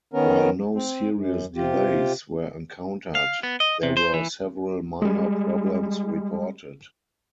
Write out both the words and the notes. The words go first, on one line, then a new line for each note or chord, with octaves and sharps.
While no serious delays were encountered, there were several minor problems reported.
D#3 B3 C#4 A#4
C4
F#2
C3 F4 G4
F5
B3
D#5
C3
C5
E3
G3 G#3